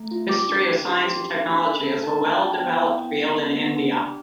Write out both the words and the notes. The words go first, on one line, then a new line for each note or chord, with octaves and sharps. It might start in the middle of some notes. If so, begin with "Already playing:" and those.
History of science and technology is a well developed field in India.
Already playing: A3
F4
G4 D6
D4
G4
G4 C6
G4
G4
D4 B5
A4
A4
D4 A5
D4
A5
G5
F4
B3 G5
E4
B3
A4
B3
B3
D4
G4